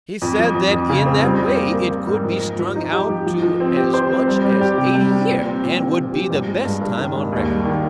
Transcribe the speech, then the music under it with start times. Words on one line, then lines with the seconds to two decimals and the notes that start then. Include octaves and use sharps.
He said that in that way it could be strung out to as much as eighty year, and would be the best time on record.
0.22 F2
0.39 F3
0.55 F2
0.72 F2
0.89 C#3
1.06 C4
1.23 G3
1.40 G3
1.56 A#3
1.74 A#3
1.90 A#3
2.07 G#2
2.24 F3
2.42 F3
2.59 F3
2.76 D#4
2.92 G4
3.10 F3
3.26 F3
3.43 F3
3.60 C4
3.77 G4
3.94 C5
4.10 C4
4.28 G3
4.45 G3
4.61 G4
4.78 C3
4.95 G3
5.12 G4
5.29 A#2
5.46 C4
5.62 A#2
5.79 C4
5.97 F3
6.13 G4
6.30 G2
6.47 G#3
6.65 G2
6.81 G2
6.98 D#3
7.15 G#3
7.33 D#2
7.49 G3
7.65 D#3